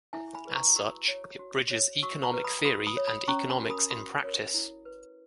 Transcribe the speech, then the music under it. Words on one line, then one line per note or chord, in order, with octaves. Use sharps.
As such, it bridges economic theory and economics in practice.
E4 E5 G#5
G#5 B5
G#4 B4
A#5 C#6
F#4 C#6 E6
C#5
F#4
C#5
F#4 C#6 E6
A#5 C#6
B4
B5 D#6
F#4 B5 D#6
B5 D#6
C#5
B5 D#6
C#4 A#5 C#6
G#5 B5
F#4 A#4
B5 D#6
F#4 B5 D#6
A#4 C#5
E4
B4